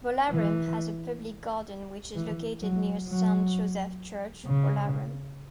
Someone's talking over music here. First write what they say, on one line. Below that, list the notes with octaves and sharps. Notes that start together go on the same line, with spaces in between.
Bolarum has a Public Garden which is located near Saint Joseph Church, Bolarum.
E3
E3
F#3
F#3
C#3